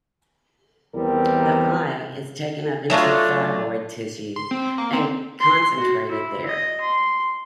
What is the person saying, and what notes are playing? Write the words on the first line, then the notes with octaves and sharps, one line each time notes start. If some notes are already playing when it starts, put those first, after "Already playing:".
The I is taken up into thyroid tissue and concentrated there.
E2 E3 G3 C4 A#4
F#3 A3 D4 F4
C6
C4
A#3
C4
C6
F#4
E4
D#5
C6